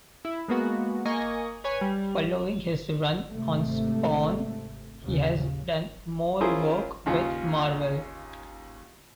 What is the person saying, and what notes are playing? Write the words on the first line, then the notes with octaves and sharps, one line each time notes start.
Following his run on "Spawn" he has done more work with Marvel.
E4
G#3 A#3 B3 F#4
A#3 D#5 G#5 C#6 A#6
B4 C#5 G#5
G3
G#1 C3 A3
D#2 A#2 C#3
C#4 E4 F4 G#4 A#4 C5
D#2 C#3 F4